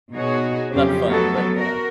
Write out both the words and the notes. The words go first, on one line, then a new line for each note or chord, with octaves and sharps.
Well, not fun, but, uh,
B2 D#4 F#4 G#4 C#5
F2 C#3 F#3 C#4 G4 C5
F#3 A3 B3 A4
F#4 A#4